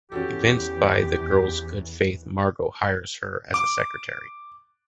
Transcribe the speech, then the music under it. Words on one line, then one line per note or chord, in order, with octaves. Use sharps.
Convinced by the girl’s good faith, Margo hires her as a secretary.
E2 E3 C#4 F#4 G4 A4
D6